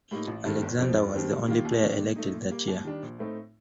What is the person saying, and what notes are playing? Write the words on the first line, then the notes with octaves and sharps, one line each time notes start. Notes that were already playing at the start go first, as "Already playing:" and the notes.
Alexander was the only player elected that year.
A2 G3 A#3 D#4
A1
G2 D#3 A3 C4
G1
F2 C3 F3 C4
F1
D#2 D#3 G3 C4
G2
D#3 G3 A#3 F4
D#2
D#3 A3 D4
A#2
A3 D#4
A#2
G3 A#3
D#2
D#3 G3 D4
A#1
A2 A3 C4 D#4